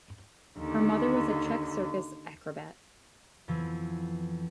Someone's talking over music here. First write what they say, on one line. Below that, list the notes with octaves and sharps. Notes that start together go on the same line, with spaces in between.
Her mother was a Czech circus acrobat.
D#2 D3
F2 E3 B3